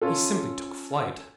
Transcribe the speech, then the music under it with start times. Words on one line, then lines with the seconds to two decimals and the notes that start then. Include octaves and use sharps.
He simply took flight.
0.02 C#4 F4 A4